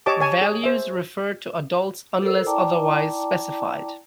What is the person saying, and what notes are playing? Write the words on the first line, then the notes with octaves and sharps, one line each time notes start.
Values refer to adults unless otherwise specified.
G4 C#5 D#5 A5 D6
C#5 G#5 A5
G#4
C5 E5
A4 A#4 C5 E6
E4 D5 G5 A5 A#5 D6